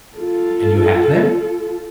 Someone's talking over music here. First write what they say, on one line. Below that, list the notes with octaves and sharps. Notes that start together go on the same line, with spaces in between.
"And you have them?"
F4 A4